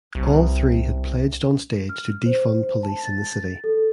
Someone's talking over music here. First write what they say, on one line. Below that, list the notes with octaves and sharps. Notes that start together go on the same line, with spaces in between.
All three had pledged on stage to "defund police" in the city.
C2
F6
C5
C5
A5
A6
A4